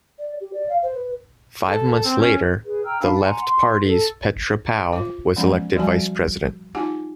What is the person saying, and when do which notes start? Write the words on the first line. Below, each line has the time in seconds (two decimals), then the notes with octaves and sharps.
Five months later, the Left Party's Petra Pau was elected vice president.
0.19 D5
0.41 G4
0.53 D5
0.69 F5
0.83 C5
0.94 B4
1.68 A4
2.05 C4
2.19 C#4
2.65 G#4 B4
2.84 G5 A#5 E6 F6
3.01 D4 F5 B5
3.19 F#5 G#5 A#5 C6
3.40 C6
3.84 A4
4.93 F4 C5
5.36 E3 F3 G#3 B3 C#4
5.75 E3 F3 G3 F#4 G#5 A5
6.75 D#4 F4 G4 F#5 G#5 A5